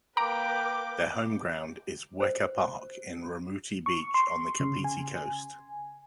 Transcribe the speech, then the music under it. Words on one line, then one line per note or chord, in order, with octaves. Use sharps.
Their home ground is Weka Park in Raumati Beach on the Kapiti Coast.
A#3 B4 G5 A#5 D6
C5
C#6
C6
C#3
G#5